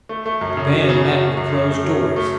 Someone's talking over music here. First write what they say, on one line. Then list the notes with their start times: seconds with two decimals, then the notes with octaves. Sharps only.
The band met with closed doors.
0.09 A3
0.26 A3
0.41 F#2
0.57 C#3
0.73 F#3
0.89 C#3
1.05 F#3
1.21 F#3
1.37 F#2
1.53 C#3
1.69 A3
1.84 F#3
2.00 F#3
2.16 A3